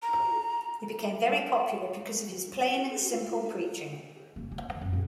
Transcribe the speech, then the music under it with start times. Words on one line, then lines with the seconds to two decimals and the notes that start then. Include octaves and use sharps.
He became very popular because of his plain and simple preaching.
0.02 A#5
4.36 C3 A#3
4.52 A#3
4.69 E3
4.81 F#2 A#2
4.93 A#2